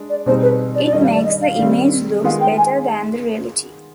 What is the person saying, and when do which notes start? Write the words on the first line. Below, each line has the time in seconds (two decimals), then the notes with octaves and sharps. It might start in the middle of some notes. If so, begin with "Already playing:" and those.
It makes the image looks better than the reality.
Already playing: G#3 D4
0.09 D5
0.26 B2 G3 C4 D#4 G#4 C5
0.42 B4
0.75 D5
0.85 D5
0.92 G2 D#3 G3 D#5
1.03 F5
1.14 D5
1.25 D#5
1.41 F5
1.58 D#3 G3 C4
2.24 D#3 G#3 B3 F4 G#4 F5
2.40 G5
2.57 G#5